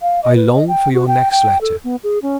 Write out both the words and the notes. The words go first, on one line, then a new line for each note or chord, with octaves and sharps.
I long for your next letter.
F5
D#5
B4
D#5
G5
F#4
G5
G5
A4
B3
G#4
C#4